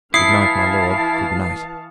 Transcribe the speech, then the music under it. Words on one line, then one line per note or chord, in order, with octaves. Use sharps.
Good night, my lord, good night.
E3 E4 F5 A5 D#6 C7 C#7